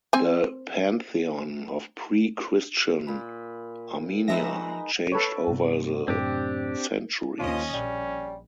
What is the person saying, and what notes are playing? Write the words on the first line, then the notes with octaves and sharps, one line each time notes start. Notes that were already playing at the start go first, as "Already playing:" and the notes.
The pantheon of pre-Christian Armenia changed over the centuries.
C4 G#5
A#2 B5
F3 G#3 D#4 B4 E5 A#6
A4 B4 C#5
G2 C3
F#2 A2 C3 C4 D4 G4
D#2 F3 C#4 D#5
A#1 G3